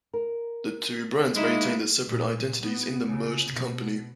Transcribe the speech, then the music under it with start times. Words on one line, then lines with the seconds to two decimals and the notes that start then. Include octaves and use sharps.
The two brands maintain their separate identities in the merged company.
0.13 A#4
1.36 G#3 A#3 D#4 E4
2.07 A#2
2.63 B3
3.09 C#3
3.53 B2